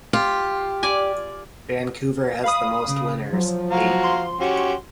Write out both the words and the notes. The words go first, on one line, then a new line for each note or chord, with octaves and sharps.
Vancouver has the most winners, eight.
F4 G4
D5 G#5
F5 B5 D#6
C#3
F3 F#3
F#4 F5 A#5
C6
C#4 F#4 G4